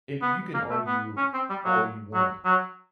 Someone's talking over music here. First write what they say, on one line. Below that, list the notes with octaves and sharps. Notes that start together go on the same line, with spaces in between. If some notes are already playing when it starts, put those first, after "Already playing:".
i you can argue all you want
B3
A#3
A3
B3
C#4
C4
G3
F#3
F#3
F#3